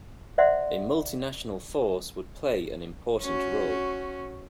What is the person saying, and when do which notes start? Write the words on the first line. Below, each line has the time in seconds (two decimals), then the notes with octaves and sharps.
A Multinational Force would play an important role.
0.38 C5 D5 E5 F#5 C6
3.22 C#4 F#4